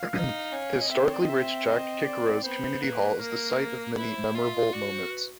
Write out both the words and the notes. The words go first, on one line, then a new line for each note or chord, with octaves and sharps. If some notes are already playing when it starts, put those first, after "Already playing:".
The historically rich Jack Kickeros community hall is the site of many memorable moments.
Already playing: F5
D#4
C#4
D#5
C4 E5
C#5
D5
D#5
E5
D#5
D5
B3 C5
A#3 B4
A#3 A#4
E4 B4
C#5
C5
F4 E5
D#5
F#4 D5
C#5
C5
A#4
B4